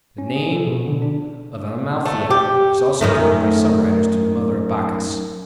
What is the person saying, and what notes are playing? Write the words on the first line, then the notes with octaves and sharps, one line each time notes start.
The name of Amalthea is also given by some writers to the mother of Bacchus.
C#4
G#4
A4
B2
D3
D4
A3
G4
F#2 D#3 A3